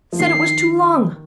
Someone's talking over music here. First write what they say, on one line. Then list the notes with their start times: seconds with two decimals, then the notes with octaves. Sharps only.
Said it was too long!
0.13 F3
0.19 D#3 C7